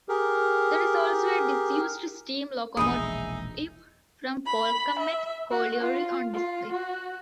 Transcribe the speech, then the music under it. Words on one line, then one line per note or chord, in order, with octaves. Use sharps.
There is also a disused steam locomotive from Polkemmet Colliery on display.
G4 G#4 A#4
E1 A#1 D#4 G#4 E5 B5 D#6
B5
E5
F#4
F4
F4
F#4